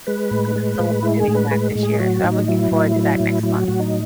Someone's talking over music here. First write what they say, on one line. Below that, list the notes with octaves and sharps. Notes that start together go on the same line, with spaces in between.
Um, so we'll be doing that this year. So I'm looking forward to that next month.
G#3 B4
A2
G#3
A2
G#3 E4
G#4
A2
B4
G#3 B4
A2
G#4
F#3 F#4
A2 D#4
F#3 E4
A2
F#3
A2
F#3 E4
F#4
A2 F#4
D#4